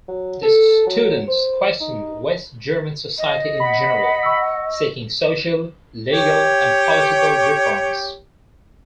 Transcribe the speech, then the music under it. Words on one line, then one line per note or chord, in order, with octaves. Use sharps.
The students questioned West German society in general, seeking social, legal, and political reforms.
F#3
A4
F#3
C5
D#4
D#5
F#5 B5
C#6 E6
G4 C#5